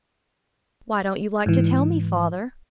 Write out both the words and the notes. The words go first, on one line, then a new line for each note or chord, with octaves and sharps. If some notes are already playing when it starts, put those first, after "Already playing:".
'Why don't you like to tell me, father?
G#2 E3